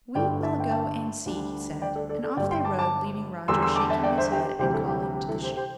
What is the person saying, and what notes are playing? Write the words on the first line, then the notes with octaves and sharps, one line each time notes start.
"We will go and see!" he said; and off they rode, leaving Roger shaking his head and calling to the sheep.
G1 G2 D3 A3 D5 G5
E5 A5
G5
E5 A5
D2 D3 G3 D4
D5 G5
A4 D5
A4 D5
A4 D5
G1 G2 G3 D5 G5
G5 C6
A5 D6
A5 D6
E2 D3 G3 D4 C6 E6
C6 E6
A5 D6
E5 A5
D5 G5
C5 E5
G4
G4
D2 C3 E3 G3 G4 C5
E4 A4
G4
G4
G4
E4 A4
G4 C5
G4 C5